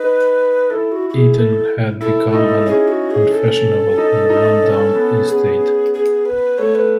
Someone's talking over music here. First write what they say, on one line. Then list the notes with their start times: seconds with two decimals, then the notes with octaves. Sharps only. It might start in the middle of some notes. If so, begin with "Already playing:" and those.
Eaton had become "an unfashionable and run-down estate".
Already playing: D#4 B4
0.70 E4 A4
0.92 F#4
1.10 F#4
1.14 G#4
1.36 A4
2.01 E4 A4
2.34 D#4
2.66 C#4 G#4
2.88 F#4
3.11 G#4
3.32 A4
3.97 D#4
4.29 D#4
4.63 C#4
4.95 B3
5.27 B3 G#4
5.94 G#4
6.25 B4
6.58 A3 C#5
6.75 B4